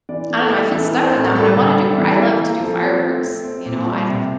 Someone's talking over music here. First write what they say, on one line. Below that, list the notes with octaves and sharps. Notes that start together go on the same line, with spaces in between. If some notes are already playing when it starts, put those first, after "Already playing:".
I don't know, I feel stuck on that one, I wanna do more, I love to do fireworks, you know, I’d
E3 D5
E3
A4
A3
E3 A4
A#4
C4
C5
A2
A#4
G3 A4
D3
G3
E3
E3
A#3
F3 A4
C4
A3
C4
C4
A#2
G3
C3